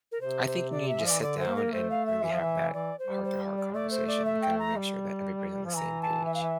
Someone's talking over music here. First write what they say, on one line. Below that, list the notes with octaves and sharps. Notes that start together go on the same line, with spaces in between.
I think you need to sit down and really have that heart-to-heart conversation and kinda make sure that everybody on the same page.
A#4
C3 C5
C5
D5
E5
F3 D5
E3
D3 D5
C5
A#3
A#4
A3 C5
F5
E5
E3
F3
E3
E3 D5
C5
G3
C5
D5
A3 D5
C5
D5
E5
G5
A#5
G3
F3
E3 A#5
A5
E5
F5
E5